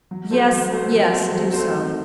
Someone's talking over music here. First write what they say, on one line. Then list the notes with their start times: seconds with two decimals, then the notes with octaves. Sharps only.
"Yes, yes, do so."
0.11 F#3
0.31 A3 C4 F#4 C5
0.52 F#3
0.71 A3 C4 F#4 C5
0.91 F#3
1.11 A3 C4 F#4 C5
1.32 F#3
1.52 A3 C4 F#4 C5
1.73 D#3